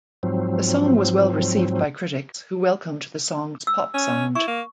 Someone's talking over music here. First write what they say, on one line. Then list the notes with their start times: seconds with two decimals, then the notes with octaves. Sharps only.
The song was well-received by critics, who welcomed the song's pop sound.
0.23 G#2 F3 F#3 C4
3.67 E6
3.94 C#4
4.35 E4 C#6
4.48 A#3